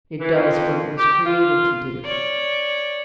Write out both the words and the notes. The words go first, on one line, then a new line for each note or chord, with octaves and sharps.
It does what it was created to do.
E3
F2
G4
F4
C#5 D5